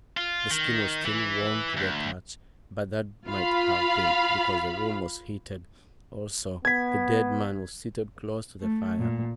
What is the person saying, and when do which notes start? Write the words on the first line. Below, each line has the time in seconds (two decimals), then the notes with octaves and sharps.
The skin was still warm to the touch, but that might have been because the room was heated. Also, the dead man was seated close to the fire.
0.17 F4
0.50 D#3
1.05 E3
1.77 D2
3.27 F4 F5 B5
6.65 B3 G#6 B6
8.61 A3
8.99 A#2